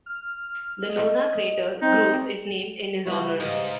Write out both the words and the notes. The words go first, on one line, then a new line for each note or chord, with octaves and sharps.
The lunar crater "Grove" is named in his honor.
F6
D#5
C4 D#4
C#3 E3 G3 E4 F#4
D#2 G#2 D#5 F5